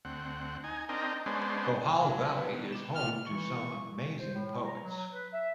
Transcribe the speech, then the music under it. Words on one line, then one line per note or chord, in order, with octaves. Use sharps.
Gojal Valley is home to some amazing poets.
D2 C4 F#5
D#4 G#5
C4 D4 D#4 A#4 D#5 G5
G#3 B3 C#4 D4 C5
F#3 D4 A#4 G#5
B3 B4
B2 D#3 G3 B3
D6 E7
A#1 F4 F6
E3 C#6
C5
A2
A#5
F#3
B4
E5